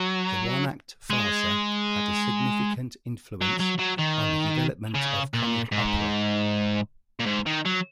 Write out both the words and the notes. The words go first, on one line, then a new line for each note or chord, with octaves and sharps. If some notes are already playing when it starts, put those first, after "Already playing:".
The one-act farsa had a significant influence on the development of comic opera.
Already playing: F#3
G#3
F#3
F#3
F#3
D#3
C#3
A#2
G#2
A#2
G#2
D#3
F#3